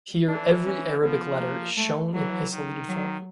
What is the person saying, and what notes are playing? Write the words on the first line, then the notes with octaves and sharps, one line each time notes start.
Here every Arabic letter is shown in isolated form.
E3 D4
C#4
F3 B3
A#3
A3
E3 F#3
D#3
F#3